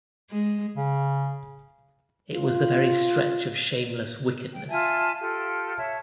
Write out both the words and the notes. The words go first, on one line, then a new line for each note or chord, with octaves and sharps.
It was the very stretch of shameless wickedness.
G#3
C#3
F4
G5
F4 E5 G#5 A5
F4 G4 A4
C#5 E5 A5